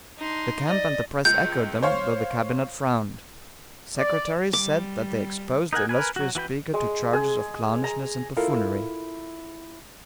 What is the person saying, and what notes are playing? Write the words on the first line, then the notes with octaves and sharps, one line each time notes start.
The camp and the press echoed them though the Cabinet frowned--secretaries said that they exposed the illustrious speaker to charges of "clownishness and buffoonery."
D4 D#4 C6
D5 D#5
C#2 G6
C5 C#5 F5
D5
G3 D6
D#4 A#4 F#5 G#5
A#4 B4 G#5
F#3 F#4
E3 F#4 B4 G5
G#3
G#4
A#5
E4 F4 A4 A#4 F5